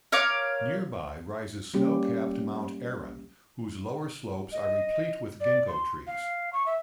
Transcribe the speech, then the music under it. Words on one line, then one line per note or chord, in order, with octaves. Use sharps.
Nearby rises snow-capped Mount Aran, whose lower slopes are replete with ginkgo trees.
A#4 C#5 F5 D6
G3 A#3 C#4 G4
D#5
D5
C6
F5
C#6
E5